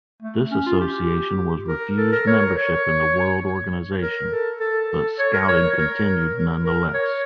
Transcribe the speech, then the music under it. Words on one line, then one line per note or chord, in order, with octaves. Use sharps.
This association was refused membership in the World Organization, but Scouting continued nonetheless.
A3
C#4
F4
G4
A#4
A4
A#4
C#5
A#4
C#5
A#4
A4
A4
A4
C#5
A#4
C#5
A#4
A#4
A#4
C#5